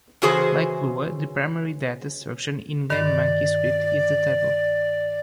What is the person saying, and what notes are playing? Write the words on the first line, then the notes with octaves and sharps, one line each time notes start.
Like Lua, the primary data structure in GameMonkey Script is the table.
C#3 E3 F#4 G#4 C5
G2 D#3 D5